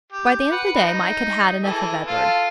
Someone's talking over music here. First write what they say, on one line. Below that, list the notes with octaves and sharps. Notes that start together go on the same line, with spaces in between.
By the end of the day Mike had had enough of Edward.
G4
B4 F#5
D#4
E3 G#4 A4
F4 A4 F5